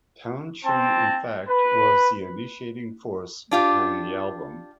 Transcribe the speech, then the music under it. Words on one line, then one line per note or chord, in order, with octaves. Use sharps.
Townshend, in fact, was the initiating force behind the album.
C4 A5
B4
D4 F4 G4